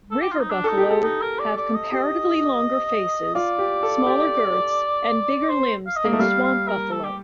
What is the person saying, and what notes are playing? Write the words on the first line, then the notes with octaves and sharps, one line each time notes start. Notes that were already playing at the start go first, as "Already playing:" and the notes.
River buffalo have comparatively longer faces, smaller girths, and bigger limbs than swamp buffalo.
A4
G4
F4
D#4
D4
D#4 A4
G4
A4
D#4
A#4
D5
D5
D#5
G4 D#5
F4 D5
G4
A4
G4
C5
F5
D#5
A#3
A3 D#5
G3 F5
F5
A#4
A4
G4